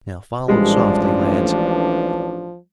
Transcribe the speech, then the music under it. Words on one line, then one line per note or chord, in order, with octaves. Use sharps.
Now follow softly, lads!
A1 F3 G3 G#3 D4